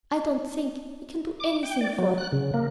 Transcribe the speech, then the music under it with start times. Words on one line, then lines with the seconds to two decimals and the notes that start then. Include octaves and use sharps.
"I don't think--we can do anything for him."
1.40 D6
1.63 G5
1.81 D5
1.99 F#3
2.18 F#6
2.32 C#3
2.54 A#3